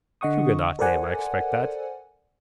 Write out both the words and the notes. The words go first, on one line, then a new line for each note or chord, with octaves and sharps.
Huguenot name I expect that.
D3 D#5 F#5 C#6 D#6
A4 A#4 C5 D5 F#5 G#5